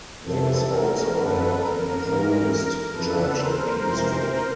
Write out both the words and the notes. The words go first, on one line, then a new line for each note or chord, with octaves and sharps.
There is also a Methodist church in King Street.
F2 C3 E3 A4
A#4
F#2 D3 A4 B4
A#4
G#2 E3
F2 C#3 E3 A4 B4
A#4 C5
F2 C3 E3